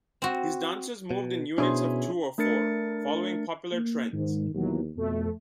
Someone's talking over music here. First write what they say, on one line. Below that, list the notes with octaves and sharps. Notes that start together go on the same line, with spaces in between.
His dancers moved in units of two or four, following popular trends.
C4 F#4
B2
B2 C#4 D4 E4 G#4 C5
A3 D4 A#4 A6 C#7
A#3
G#2 D#3
D#2 B2 E3 F#3
F2 B2 A3